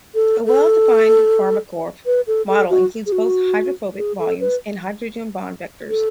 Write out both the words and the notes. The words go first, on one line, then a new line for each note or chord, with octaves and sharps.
A well-defined pharmacophore model includes both hydrophobic volumes and hydrogen bond vectors.
A4
A4
B4
A4
A4
F#4
G#4
F#4
G#4
A4
B4
A4